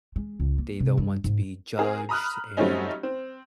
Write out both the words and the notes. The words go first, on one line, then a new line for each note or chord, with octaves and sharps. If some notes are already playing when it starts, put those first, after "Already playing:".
they don't want to be judged, and
G#3
C#2
A#3
C3
G2
G#2
C4 G#4 A#4
A#5 B5 D#6 F6 F#6
F#3 G3 A3 C4 C#4 D#4
C4